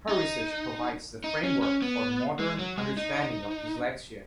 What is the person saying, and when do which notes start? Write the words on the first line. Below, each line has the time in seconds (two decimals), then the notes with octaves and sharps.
Her research provides the framework for modern understanding of dyslexia.
0.09 D#4
1.24 D#4
1.43 C#4
1.62 C#4
1.82 B3
2.39 G#3
2.59 F#3
2.78 G#3
2.97 D#4